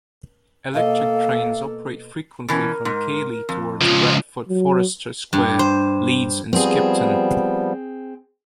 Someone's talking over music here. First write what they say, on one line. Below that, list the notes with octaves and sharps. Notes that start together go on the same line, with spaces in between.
Electric trains operate frequently from Keighley towards Bradford Forster Square, Leeds and Skipton.
B2 A#3 A4 D#5 F5
B2 E3 C#4 A#4
G#2
F2
C#2 F3 F4
F#3
G2
C5
F3 G3 B3 C4 G#4